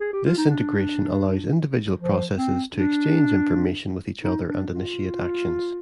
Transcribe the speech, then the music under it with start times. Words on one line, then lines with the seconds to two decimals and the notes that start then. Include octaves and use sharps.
This integration allows individual processes to exchange information with each other and initiate actions.
0.01 G#4
0.13 G4
0.25 F4
0.37 D#4
0.50 D4
1.99 F3
2.37 C4
2.74 D4
4.23 D#4
4.48 D4
4.73 F4